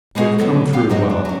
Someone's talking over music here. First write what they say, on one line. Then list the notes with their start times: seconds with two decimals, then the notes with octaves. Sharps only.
We have come through well.
0.15 G3 G#3 A#3 B3 F#4 G#4
0.38 D3 F#3 B3 F4 A4
0.73 B3 G4 F5 G5
0.89 G#2 C#3 F#3 D#4 F#4
1.10 D4
1.25 F#3 C#4